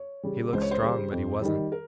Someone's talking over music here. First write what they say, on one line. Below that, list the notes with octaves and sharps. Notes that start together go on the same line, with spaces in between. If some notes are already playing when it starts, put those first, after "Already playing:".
He looked strong, but he wasn't.
Already playing: C#5
C#3 G3
C#2 C5
C#5
C5
C#3 G3
F2
D#3 G3
A#4